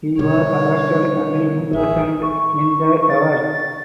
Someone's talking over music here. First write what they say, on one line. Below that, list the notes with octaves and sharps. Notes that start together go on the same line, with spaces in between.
He was arrested and imprisoned in the Tower.
B2 D3 D#3 G3 C#5
A1 G#4 E5
C#6
A6